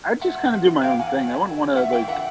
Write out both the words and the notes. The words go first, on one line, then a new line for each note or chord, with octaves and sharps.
I just kinda do my own thing. I wouldn't wanna, like
G#3 E5 F#5
C3
F3
B3
A#3 F5 G5
E2 F#5 G#5
F#3
F#3
A3
A3
D3 E5 F#5
F2 F5 G5
D3 E5 F#5